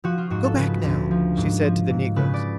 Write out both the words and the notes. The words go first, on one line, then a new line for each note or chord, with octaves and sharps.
"Go back now," she said to the negroes.
F3 F#4
F4
G#2 F#4
A4
C#3 B4
D2
F3
G#2
F3
G#2
C#3 B4
D5